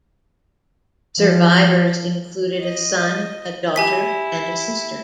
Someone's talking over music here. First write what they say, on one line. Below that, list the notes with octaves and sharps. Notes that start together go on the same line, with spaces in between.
Survivors included a son, a daughter and a sister.
F3
D#5
E4 G4 G#5 B6